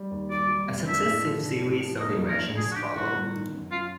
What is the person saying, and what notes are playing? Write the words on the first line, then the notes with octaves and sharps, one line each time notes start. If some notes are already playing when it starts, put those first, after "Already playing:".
A successive series of invasions followed.
Already playing: G3
D#2
G3 D5
G3
F1
D4 E5
A2
F3
D4
A2
F3
A#3 D#5
D4
A#4
D4
F3 G#4
F#4
D4 G4
A2 F#4
G1
D#3
F#2
F#2 F4